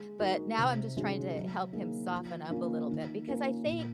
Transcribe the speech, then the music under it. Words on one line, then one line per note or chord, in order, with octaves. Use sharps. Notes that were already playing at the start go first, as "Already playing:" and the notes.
but now I'm just trying to help him soften up a little bit, because I think
Already playing: G#3
D#4 F#4 A#4
C3
D#3 G#3 C#4 F#4
F#3
A#3 D#4 G#4
F3
A#3 C#4 F4
D#3
A#3 C#4 F4 A#4
A#2